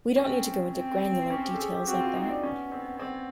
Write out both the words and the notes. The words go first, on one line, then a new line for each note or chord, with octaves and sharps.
We don't need to go into granular details like that.
C4 C#4
C4
C#4
G4
A4
G#4
G4
C4 F#4
F4
D#4
D4
B3 C#4
C4
C4